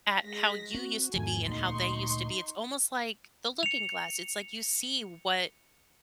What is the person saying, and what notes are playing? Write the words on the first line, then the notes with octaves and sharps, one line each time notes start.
at how you used to be and how they used to be. It's almost like the looking glass, it's like you see what
G#3 A#6 B6
C4 F#4
E2 G#2 D#3 F3 A3 G#5
D2 A#2 A3 D#4 C6 C#6
C#7 F7